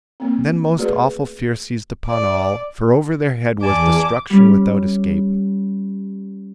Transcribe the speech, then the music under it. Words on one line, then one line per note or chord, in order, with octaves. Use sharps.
Then most awful fear seized upon all; for over their head was destruction without escape.
A#3 C4
A3 F#4 G#4 B4 D5
D5
E2 D5 G#5 A5 D6
G3 C#4